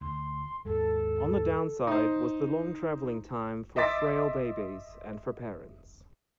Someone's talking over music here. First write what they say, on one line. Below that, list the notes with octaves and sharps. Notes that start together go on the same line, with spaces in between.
On the downside was the long travelling time for frail babies and for parents.
D2 C6
D#2 G#2 G#3 A4
D#4 C5
D#5 E5 C6 D6 A6 B6